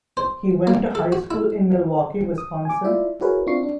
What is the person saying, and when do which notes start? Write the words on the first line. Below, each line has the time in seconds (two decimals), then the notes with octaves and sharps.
He went to high school in Milwaukee, Wisconsin.
0.17 C5
0.67 A#3
0.95 A4
1.12 F#4
1.31 E4
2.38 D#6
2.65 G#5 D6
2.84 E4 F4 D5 E5
3.21 E4 F#4 G#4 A#4 B4 C#5
3.47 C4 D4 E4 F4 C#6 C7
3.63 D4